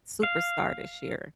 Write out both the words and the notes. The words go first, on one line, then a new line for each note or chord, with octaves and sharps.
superstar this year.
F5